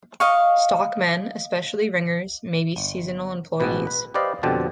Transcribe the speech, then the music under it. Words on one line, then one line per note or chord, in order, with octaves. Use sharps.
Stockmen, especially ringers, may be seasonal employees.
D#5 F5 C#6
G1
A1 G#2 B2 B4
B4
G4 B4 C5 D5 D#5 F5
F2 B2 D3 C4 G4 A5